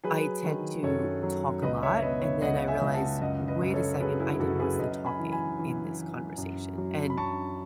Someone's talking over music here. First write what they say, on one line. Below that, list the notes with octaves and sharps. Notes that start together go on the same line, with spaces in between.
I tend to talk a lot, and then I realize, "Wait a second, I did most of the talking in this conversation," and
F#3 G#4 B4
D#3
F#2 A4 C#5
F#3
C#2 B4 D#5
C#5 E5
B2 B4 D#5
C#5 E5
C#2 D#5 F#5
E5 G#5
C#2
F#5 A5
F#2 D#5 F#5
B4 D#5
F#2
A4 C#5
F#3 G#4 B4
E4 G#4
F#2 F#4 A4
G#4 B4
F#2 B4 D#5
G#5 B5
E3
G#5 B5
E3
E3
F#2
F#3
B5
F#2 A5 C#6